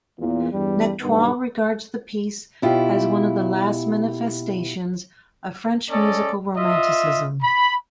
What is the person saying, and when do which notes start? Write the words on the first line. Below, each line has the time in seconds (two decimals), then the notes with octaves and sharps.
Nectoux regards the piece as one of the last manifestations of French musical Romanticism.
0.20 E2 A#2
0.52 E2 G2 G3
1.01 B1 G2 D#3 B3
2.62 B2 E4 F4 G4
5.91 C#4 A4 D5 D#5
6.56 F4 D#5 E5
7.43 B5